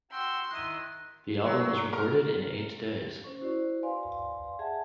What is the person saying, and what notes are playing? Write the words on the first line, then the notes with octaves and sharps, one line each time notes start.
The album was recorded in eight days.
F#4 G5 C6 E6
D#3 E4 D#5 F#6 D#7
F#3
A#4
C#4 C5 C#6
E4 F#4 C5 D5
B4 D5 F5 G#5 C6
G#4 E5 F#5 G#5 A5